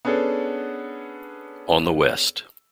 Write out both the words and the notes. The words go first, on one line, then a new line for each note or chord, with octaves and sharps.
On the West.
B3 C#4 D4 G#4 A4